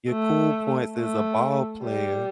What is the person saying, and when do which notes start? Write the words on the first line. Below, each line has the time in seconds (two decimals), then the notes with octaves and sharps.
your cool points as a ball player
0.10 A3
0.97 A3
1.83 G3